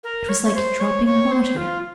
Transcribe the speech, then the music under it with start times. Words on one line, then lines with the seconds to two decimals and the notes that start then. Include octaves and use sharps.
It was like dropping water.
0.04 A#4
0.29 C#5
0.44 C#5
0.55 C5
0.80 C#5
1.06 C#5
1.31 C5
1.57 F4